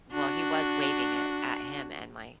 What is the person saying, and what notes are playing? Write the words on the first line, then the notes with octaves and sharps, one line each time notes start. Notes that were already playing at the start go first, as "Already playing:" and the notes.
well, he was waving it at him and my
D4 F#4